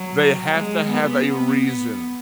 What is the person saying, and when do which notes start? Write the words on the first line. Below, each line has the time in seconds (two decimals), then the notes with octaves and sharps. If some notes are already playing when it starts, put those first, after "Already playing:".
They have to have a reason
Already playing: F#3
0.51 G#3
0.89 B3
1.27 B3